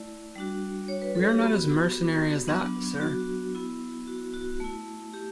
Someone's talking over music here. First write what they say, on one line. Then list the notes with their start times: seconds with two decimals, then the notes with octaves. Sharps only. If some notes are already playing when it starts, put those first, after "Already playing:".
We are not as mercenary as that, sir.
Already playing: A3 E4 D5
0.36 G3 D4 F#4
0.88 C#5
1.02 B4
1.15 A4
1.29 G4
1.41 B3 F#4
2.48 F#3 B3 D4
3.01 F#4
3.55 B3 E4
4.07 F#4
4.34 F#4
4.60 A3 E4
5.14 G4